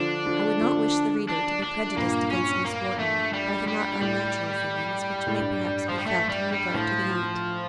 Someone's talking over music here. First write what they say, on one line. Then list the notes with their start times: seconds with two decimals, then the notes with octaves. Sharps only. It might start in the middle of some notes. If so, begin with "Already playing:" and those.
I would not wish the reader to be prejudiced against Miss Wharton by the not unnatural feeling which may perhaps be felt in regard to the aunt.
Already playing: D3 F3 D4
0.26 D3 F3
0.60 D3 F3
1.29 D4
1.62 D4
1.96 G2 A#2 A#3
2.31 C#4
2.65 A#3
3.00 A3
3.33 G3
3.67 G3
4.01 A2 G3
5.27 A2
5.38 G2
5.89 F3
5.98 G3
6.06 A3
6.29 G3
6.52 G3
6.74 A2 F3